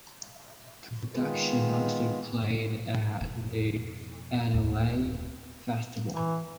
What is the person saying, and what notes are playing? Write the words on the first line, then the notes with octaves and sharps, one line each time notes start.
The production also played at the Adelaide Festival.
D#3 G#3 B3 F4 G#4
F2 B2
D1 F2
E3